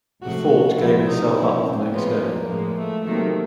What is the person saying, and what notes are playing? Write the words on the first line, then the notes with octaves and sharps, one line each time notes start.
The fort gave itself up the next day.
C#2 C3 F3 A3 F#4
C#2 C3 F3 A3 C4 E4
D#4
A#2 F3 A#3 C#4 E4
C4
A2 F3 G#3 B3 C#4 F4
A#3
A2 F3 G#3
A3
C3 D#3 F#3 A3 A#3